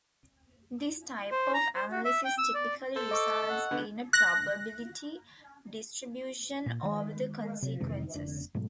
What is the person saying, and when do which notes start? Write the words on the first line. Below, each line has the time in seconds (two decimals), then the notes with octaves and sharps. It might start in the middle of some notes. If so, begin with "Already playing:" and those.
This type of analysis typically results in a probability distribution over the consequences.
1.31 C5
1.54 A#5
1.75 C5
1.91 F#4
2.05 E5
2.25 G5
2.38 E6
2.54 D5
2.96 A4 C5
3.11 D#5 C#6 D6 E6
3.49 F#5
3.71 D3 B3
4.13 F#6 A#6
6.66 A#2
6.83 D#3 G#3
7.62 C3
7.80 F2 C3 D#3 G#3
8.14 F1 D4
8.55 G#2 B2 F#3 A3